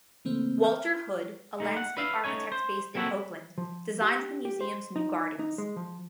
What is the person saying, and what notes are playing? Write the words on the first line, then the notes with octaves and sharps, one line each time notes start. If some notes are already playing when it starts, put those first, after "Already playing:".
Walter Hood, a landscape architect based in Oakland, designed the museum's new gardens.
C#3 E3 A3 A#3 C4 C5
G5 G#5 A#5 C#6 F6 G6
G3 A3 D#4
F#5
B4 E5 F5
A3 C#4 D#4 C#5 G#5
C5
A#3 C4 E4 F#4 A4 B4
F3
G4
G4
C5
D#4
D#4
G#3
F3